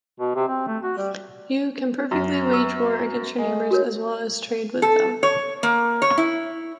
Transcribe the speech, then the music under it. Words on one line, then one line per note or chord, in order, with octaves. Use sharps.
You can perfectly wage war against your neighbors as well as trade with them.
B2
C3
C4
A3
F#4
G3
F#2
B4 C#6 E6
G#3
F#4 A#4 C#5
A4
C#5
A#3
C#5
E4